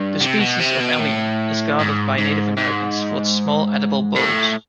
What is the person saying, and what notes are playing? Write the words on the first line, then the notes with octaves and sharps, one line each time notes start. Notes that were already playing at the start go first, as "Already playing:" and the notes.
This species of "Allium" is gathered by Native Americans for its small edible bulbs.
Already playing: G2
C3
B2
C3
B2
A2
G#2
G#2
G#2
A2